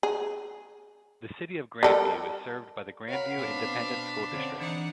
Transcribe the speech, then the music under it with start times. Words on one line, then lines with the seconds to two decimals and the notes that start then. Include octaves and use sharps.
The City of Grandview is served by the Grandview Independent School District.
0.03 G#4
1.83 G3 A4 A#4
3.08 F#4 A#4 C#5 F5 F#5 B5
3.38 B2 C4 D4
4.30 D3 C4 C#4
4.60 E3 D4 D#4 F#5